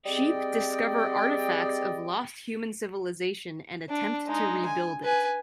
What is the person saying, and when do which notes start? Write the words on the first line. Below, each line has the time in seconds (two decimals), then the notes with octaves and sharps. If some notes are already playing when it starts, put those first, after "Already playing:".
Sheep discover artifacts of lost human civilization and attempt to rebuild it.
0.06 G3 C4 G#4 D5 D#5 G5
3.89 D4
4.27 G#3 D#4
4.66 G#5
5.04 B4 G#5